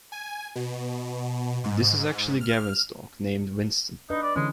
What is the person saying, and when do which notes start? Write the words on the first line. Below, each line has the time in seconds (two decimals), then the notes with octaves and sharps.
This is actually Gavin's dog named Winston.
0.12 G#5
0.55 B2
1.64 G#2
2.41 F6
4.10 D4 D#4 B4 D#5
4.22 D5
4.36 D3 E3 G#3 C#4